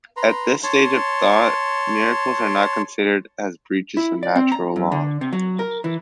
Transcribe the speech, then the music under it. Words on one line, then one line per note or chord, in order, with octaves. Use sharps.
At this stage of thought, miracles are not considered as breaches of natural law.
B4 A#5 C6
C#5 A5 C6
E4
D5
C4
A#5
F#2
D3
C3
F#3
A#4
E3